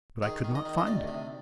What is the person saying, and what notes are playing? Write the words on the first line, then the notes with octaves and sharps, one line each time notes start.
But I could not find it.
D#3 G#4
D#3
D#5
D#3
D#5
D2 D5
C3